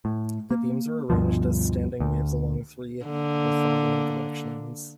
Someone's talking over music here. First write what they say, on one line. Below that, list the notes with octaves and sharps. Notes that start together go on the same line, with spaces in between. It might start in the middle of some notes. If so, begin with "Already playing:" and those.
The beams are arranged as standing waves along three orthogonal directions.
A2
A#3
D2 G2 B2 F3
D2
D3 A#3